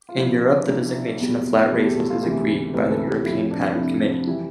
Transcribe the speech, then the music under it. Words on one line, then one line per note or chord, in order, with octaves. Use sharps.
In Europe the designation of flat races is agreed by the European Pattern Committee.
F4
C2 C3 F3 E4
D4
C2 C3 F3
E2 B2 G3
E2 B2 G3 E4
A4
G4
A4
F4
D2 C3 E3 G4
D2 C3 E3 B4
A4
G4
F2 C3 F3 E4
D4
F2 C3 F3 E4
E4
E3 G3 E4